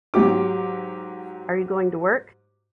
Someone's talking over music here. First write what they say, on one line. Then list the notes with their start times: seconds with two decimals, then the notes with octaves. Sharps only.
Are you going to work?
0.14 G#2 F#3 G4 D6